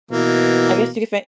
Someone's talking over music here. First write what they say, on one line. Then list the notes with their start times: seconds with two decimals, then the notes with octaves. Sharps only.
I guess you could say
0.11 B2 E3 A#3